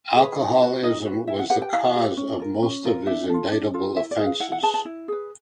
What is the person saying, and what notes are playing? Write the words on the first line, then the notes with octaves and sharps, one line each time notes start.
Alcoholism was the cause of most of his indictable offences.
G#4
B4
D#4
F#4 B4
D#4 D#5
F#4 B4
E4 E5
F#5
G4 B4 F#5
G5
E4 F5
G4 B4
C#4
F4 A#4
C#4
F4 A#4
D4 E5
F4 A4
D4
F4 A4
E4 E5
D5
G#4 B4
F5
E4 F#5
F#5
G#4 B4 A5
A5
E4
G#4 B4